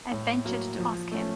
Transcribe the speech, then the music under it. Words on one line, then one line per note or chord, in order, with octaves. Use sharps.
I ventured to ask him.
A2
F#3 A#3
F3
A3 C#4